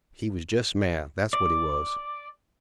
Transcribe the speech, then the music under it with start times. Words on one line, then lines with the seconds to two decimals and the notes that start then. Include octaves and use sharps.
He was jest mad, that's what he was.
1.33 D5